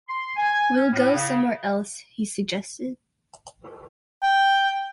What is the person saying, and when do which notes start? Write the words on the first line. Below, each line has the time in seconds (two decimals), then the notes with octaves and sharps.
"We'll go somewhere else," he suggested.
0.08 C6
0.36 G#5
0.75 C#4
0.93 A2
1.14 C#3
4.23 G5